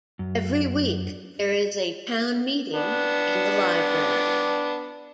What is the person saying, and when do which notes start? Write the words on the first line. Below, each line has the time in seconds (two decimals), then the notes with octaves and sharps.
Every week there is a "Town Meeting" in the library.
0.19 F#2
2.73 B3 D4